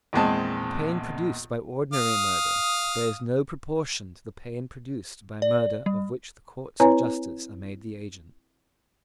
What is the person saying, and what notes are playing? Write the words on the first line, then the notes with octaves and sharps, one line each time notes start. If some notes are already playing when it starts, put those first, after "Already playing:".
The pain produced by ordinary murder bears no proportion to the pain produced by murder of which the courts of justice are made the agents.
A#1 E2 A#2 G#3 C4 A5
F5 D#6
D5
G3
C4 E4 B4 C#5 G#5 A#5